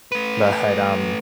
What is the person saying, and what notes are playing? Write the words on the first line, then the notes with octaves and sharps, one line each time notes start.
but, um,
A3 B4